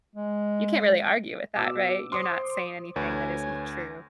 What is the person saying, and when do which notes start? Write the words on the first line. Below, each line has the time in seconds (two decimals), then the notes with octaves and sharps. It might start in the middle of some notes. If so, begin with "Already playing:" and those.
you can't really argue with that, right? You're not saying anything that isn't true.
0.15 G#3
1.57 B2 D6 E6
2.12 C5 C6 D6 D#6
2.96 D2 B4 C#5 G#5